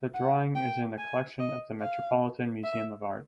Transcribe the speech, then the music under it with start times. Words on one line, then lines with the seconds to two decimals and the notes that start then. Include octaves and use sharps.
The drawing is in the collection of the Metropolitan Museum of Art.
0.14 F#5
0.56 G5
0.98 G#5
1.39 D#5
1.81 F5
2.64 E5